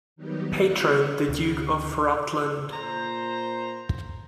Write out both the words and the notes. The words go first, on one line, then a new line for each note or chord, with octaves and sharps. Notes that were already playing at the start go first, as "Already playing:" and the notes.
Patron, the Duke of Rutland.
D#3 F#3 G3 B3 D#4 G4
F4 A#4 C#5 F#5 C#6
D2 C3
A#2 C5 A#5